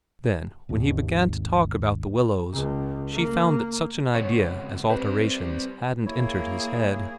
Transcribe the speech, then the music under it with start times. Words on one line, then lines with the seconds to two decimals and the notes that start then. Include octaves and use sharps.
Then, when he began to talk about The Willows, she found that such an idea as alterations hadn't entered his head.
0.69 G#1 D#2
2.53 C#2
3.12 A#3
4.15 C#2 B2 C#5
4.90 G3 C4 B4
6.06 A#3 E4 G#4 C#5